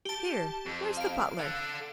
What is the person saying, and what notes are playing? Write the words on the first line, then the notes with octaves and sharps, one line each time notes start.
'Here! where's the butler?
G4 A5
F2
F5 D7
A4 F#5